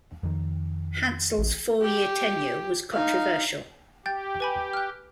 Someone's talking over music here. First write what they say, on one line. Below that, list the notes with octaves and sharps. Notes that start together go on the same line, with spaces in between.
Hansel's four-year tenure was controversial.
F2 D#3
A1
G4
D#4 F5
G4 G5 G6 A6
B4 G#5 B5
F6 F#6